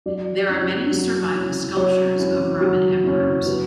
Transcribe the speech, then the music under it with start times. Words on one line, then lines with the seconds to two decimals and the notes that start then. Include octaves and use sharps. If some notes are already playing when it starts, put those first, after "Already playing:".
There are many surviving sculptures of Roman emperors.
0.06 F#3 D5
0.49 C#4 E4
0.91 F#3
1.34 C#4 E4
1.77 F#3 C#5
2.18 C#4 E4
2.61 F#3
3.04 C#4 E4
3.46 F#3 B4